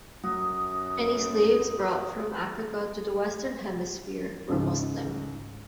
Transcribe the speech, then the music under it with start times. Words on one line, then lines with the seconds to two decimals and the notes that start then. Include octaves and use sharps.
Many slaves brought from Africa to the Western hemisphere were Muslim.
0.24 F#2 F#3 D#6
4.49 C#2 G#2